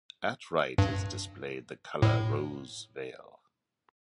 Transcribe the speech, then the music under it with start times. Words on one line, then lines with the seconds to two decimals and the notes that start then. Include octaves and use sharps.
At right is displayed the color rose vale.
0.78 G2
2.02 A2